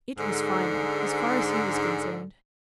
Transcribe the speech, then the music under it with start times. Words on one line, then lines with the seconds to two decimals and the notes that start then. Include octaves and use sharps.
It was final, as far as he was concerned.
0.18 G#2 D3